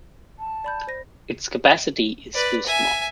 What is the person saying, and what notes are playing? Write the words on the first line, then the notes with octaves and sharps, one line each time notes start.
Its capacity is too small.
A5
D5 B5 G6
C5 A#6
B4 D5
E5 G#5